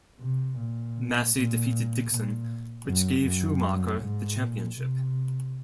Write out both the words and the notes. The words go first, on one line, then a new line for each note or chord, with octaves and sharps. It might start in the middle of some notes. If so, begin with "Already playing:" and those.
Massey defeated Dixon, which gave Schumacher the championship.
C3
A#2
A#2
A#2
F#2
F#2
G#2
A#2
C3